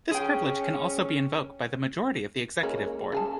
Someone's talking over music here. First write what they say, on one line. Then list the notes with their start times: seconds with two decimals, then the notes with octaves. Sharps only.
This privilege can also be invoke by the majority of the Executive Board.
0.11 C#4 G#4 G5
2.63 G#3 A#3 C#4
3.12 C#3 G#4 A5